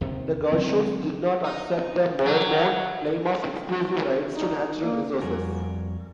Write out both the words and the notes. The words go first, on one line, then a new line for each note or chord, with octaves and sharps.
The Goshutes did not accept the Mormon claim of exclusive rights to natural resources.
D#2 C3 D#3
D3 F#3 C4
D#4
F#3
C4 B4
D#4 D5 A#5
A#3
F2 G3 F#4 A#4 D5 G#5